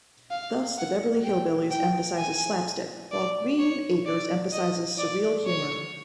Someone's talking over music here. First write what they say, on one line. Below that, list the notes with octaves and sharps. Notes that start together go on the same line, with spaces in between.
Thus "The Beverly Hillbillies" emphasizes slapstick, while "Green Acres" emphasizes surreal humor.
F5
F#5
G5
G5
G#5
D5
C#5
D5
D#5
D5
C#5